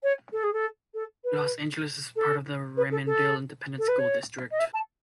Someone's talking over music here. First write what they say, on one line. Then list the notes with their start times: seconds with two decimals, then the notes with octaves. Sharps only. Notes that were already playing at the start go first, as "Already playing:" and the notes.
Los Angeles is a part of the Raymondville Independent School District.
0.03 C#5
0.32 A4
0.43 G#4
0.53 A4
0.94 A4
1.24 B4
2.16 A4
2.77 B4
2.92 A4
3.06 A4
3.79 A4
3.88 B4
3.99 C#5
4.51 D#5
4.59 E5
4.74 A5